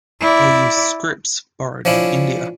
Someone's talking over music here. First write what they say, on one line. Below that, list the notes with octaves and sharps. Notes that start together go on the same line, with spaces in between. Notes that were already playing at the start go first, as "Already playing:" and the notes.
They used scripts borrowed from India.
E4 D5
F3 C#4 D4 E4